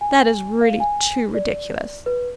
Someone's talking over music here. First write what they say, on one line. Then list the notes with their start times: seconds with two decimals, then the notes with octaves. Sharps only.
That is really too ridiculous!
0.01 G#5
0.61 F5
0.80 G#5
1.35 D5
2.06 B4